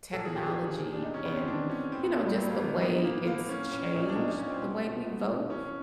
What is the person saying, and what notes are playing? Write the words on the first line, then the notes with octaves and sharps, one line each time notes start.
technology and, you know, just the way it's changed the way we vote?
A#2 A4
G#4
A#2 G4
G#4
A#2
A#2
D4
C3 D#4
C#4
C3 B3
C4
E3 D4
E3 C#4
A2 C4
B3
E3 A3
G3
A2 F#3
A#3
A2 B3
E3 B3
A2 A#3
A2 A#3
A2 C#4
A#2 C#4
A#2 D#4
D4
A#2 D#4
D#4
A#2 C#4
C4
B2
B2
B2
B2
E3 C#4